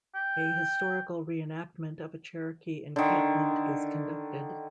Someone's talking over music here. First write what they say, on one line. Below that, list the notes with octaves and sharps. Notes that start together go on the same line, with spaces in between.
A historical reenactment of a Cherokee encampment is conducted.
G5
D3 D#3